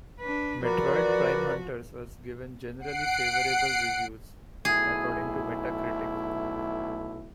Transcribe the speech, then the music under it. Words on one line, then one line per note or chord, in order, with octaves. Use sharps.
"Metroid Prime Hunters" was given "generally favorable" reviews, according to Metacritic.
D4 B4
F3 F#4 A#4 B4 D5
F#5 C7 D7
B1 A3 E4 G#4